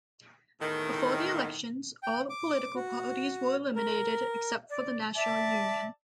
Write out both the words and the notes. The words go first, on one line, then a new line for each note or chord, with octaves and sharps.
Before the elections, all political parties were eliminated except for the National Union.
E2 A2 D#3
G5
D6
F#4
A#4
D5
D5 E5 A5